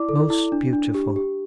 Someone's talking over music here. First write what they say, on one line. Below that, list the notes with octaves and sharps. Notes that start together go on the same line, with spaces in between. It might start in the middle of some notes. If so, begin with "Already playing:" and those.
Most beautiful.
Already playing: E4 D5 D6
A4
E4
D4
D4
G4
G4